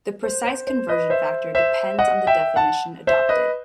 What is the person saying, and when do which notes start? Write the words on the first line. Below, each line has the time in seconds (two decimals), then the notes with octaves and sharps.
The precise conversion factor depends on the definition adopted.
0.23 C5
0.44 C5
0.67 C5
0.89 B4 D#5
1.10 C5 E5
1.55 C5 E5
1.99 D#5 F#5
2.27 E5 G5
2.56 F#5 A5
3.07 C5 E5
3.29 B4 D#5